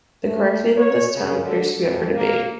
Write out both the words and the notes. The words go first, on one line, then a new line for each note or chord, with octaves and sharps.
The correct name of this town appears to be up for debate.
A3
C#5
C#3
D3
F2
A#3